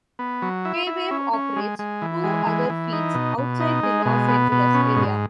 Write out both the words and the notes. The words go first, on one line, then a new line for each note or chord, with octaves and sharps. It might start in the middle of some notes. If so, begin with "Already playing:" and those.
K-Wave operates two other feeds outside the Los Angeles area.
B3
F#3
E4
E4
C#4
C#4
G#3
G#3
E3
G#3
E3
E3
D#4
B2
B2
D#4
G#3
B2
B3
B2
C#4
G#2